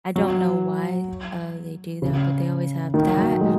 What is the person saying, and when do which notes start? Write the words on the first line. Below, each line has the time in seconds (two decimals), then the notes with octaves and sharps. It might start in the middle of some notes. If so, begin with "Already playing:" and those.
I don't know why, uh, they do that, but they always have that
0.16 F#3
2.02 C#3
2.94 D#3
3.17 F#3
3.41 G#3